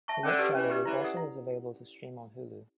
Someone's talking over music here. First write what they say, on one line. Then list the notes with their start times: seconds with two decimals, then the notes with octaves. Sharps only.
The White Shadow also is available to stream on Hulu.
0.08 E5 A5 C#6
0.23 D3 C#4
0.39 G4 B4 D5
0.54 E3 C#4
0.70 G4 B4 D5
0.85 E3 E4
1.01 A4 D5 F#5
1.17 E4